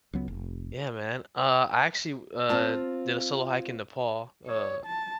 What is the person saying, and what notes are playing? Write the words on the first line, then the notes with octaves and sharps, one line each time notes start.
Yeah man, uh, I actually, w uh, did a solo hike in Nepal, uh
C#2 F#3 B3
F1
C4 F4 A5
C#5
A5